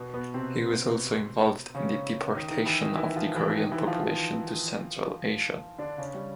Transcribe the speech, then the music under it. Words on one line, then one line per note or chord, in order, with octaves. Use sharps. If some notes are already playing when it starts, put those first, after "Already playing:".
He was also involved in the deportation of the Korean population to Central Asia.
Already playing: B2 B3
B2 B3
C3 C4
C#3 C#4
D#3 D#4
D#3 D#4
E3 E4
D#3 D#4
E3 E4
F3 F4
E3 E4
D#3 D#4
E3 E4
F3 F4
F3 F4
D3 D4
C#3 C#4
G3